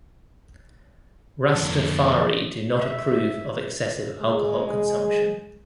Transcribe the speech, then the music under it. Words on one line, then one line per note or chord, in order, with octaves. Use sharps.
Rastafari do not approve of excessive alcohol consumption.
F2 D3
E5
G#3 G#4